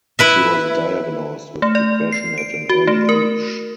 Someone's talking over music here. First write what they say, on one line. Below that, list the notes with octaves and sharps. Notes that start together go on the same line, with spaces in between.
She was diagnosed with depression at an early age.
E4 B4 E5
A3
D5
C7
D7
F#4
A3
A#4